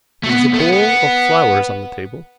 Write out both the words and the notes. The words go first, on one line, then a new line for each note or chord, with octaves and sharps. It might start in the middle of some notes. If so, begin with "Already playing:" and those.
There was a bowl of flowers on the table.
A3
B3
A3
B3
B3